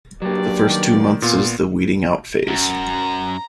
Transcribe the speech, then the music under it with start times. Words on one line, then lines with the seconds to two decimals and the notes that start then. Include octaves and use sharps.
The first two months is the weeding out phase.
0.22 G2 F#3 A#3 G4 D5
0.67 D#3
1.22 A#2 B3 F4
2.48 F#2 A#5